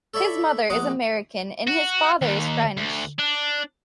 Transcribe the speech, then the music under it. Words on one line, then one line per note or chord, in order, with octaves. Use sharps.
His mother is American and his father French.
A4 C#5 D5 E5 B5
A#1 G#3 F#5 A#5 D6 D#6
F#4
D#2
D2
D4